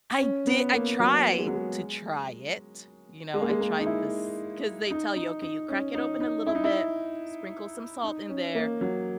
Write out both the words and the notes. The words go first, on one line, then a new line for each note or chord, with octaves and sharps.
I di I tried to try it, you know, I tried this 'cause they tell you, "Okay, you crack it open a little bit, sprinkle some salt in there,
C#4
B3
A#3
F#3
G#3
F#3
G#3
G#3
A#3
G#3
A#3
D#4
E4
D#4
D#4
D#4
C#4
D#4
D#4
E4
D#4
E4
D#4
C#4
A#3
F#3